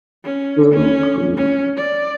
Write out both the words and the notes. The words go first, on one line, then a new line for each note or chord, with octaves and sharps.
Cool, cool.
C#4
C#4
C#4
D5